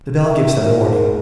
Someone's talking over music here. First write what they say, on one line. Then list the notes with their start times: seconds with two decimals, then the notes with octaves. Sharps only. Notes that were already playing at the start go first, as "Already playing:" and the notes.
The bell gives them warning.
0.24 E5
0.60 G#2 A#4